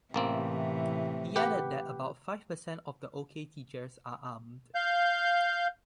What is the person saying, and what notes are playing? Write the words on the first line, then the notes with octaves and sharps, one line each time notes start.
He added that about five percent of the Okay teachers are armed.
A1 A2 C3 E3 A#3 C4
G4 B4 F#5
F5 G6